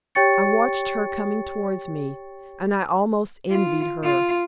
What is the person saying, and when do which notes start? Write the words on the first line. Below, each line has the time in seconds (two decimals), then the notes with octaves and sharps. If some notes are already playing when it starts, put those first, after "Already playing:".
I watched her coming towards me, and I almost envied her.
0.15 G4 C#5 G5 C#6 A6 C#7
3.51 F4
4.03 F4